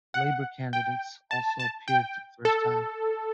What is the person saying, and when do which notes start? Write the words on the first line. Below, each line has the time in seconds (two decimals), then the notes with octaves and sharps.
Labour candidates also appeared for the first time.
0.14 F#5
0.73 G5
1.31 A5
1.60 A5
1.88 G5
2.45 A4